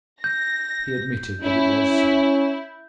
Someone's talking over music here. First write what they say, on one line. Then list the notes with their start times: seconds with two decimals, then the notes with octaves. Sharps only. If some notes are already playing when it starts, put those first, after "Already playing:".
He admitted that it was so.
0.24 G6 A#6
1.44 C#4 E4